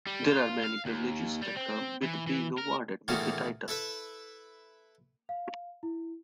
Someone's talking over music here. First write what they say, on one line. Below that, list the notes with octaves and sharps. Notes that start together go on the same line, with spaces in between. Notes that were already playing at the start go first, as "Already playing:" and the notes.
There are many privileges that come with being awarded with the title.
G3
F4
F5
D#2
G3
C4
E3
E3
A#4
E2 A#2 D#3 A3 A#3 C#4
E4 A4 B4 E5
F5
E4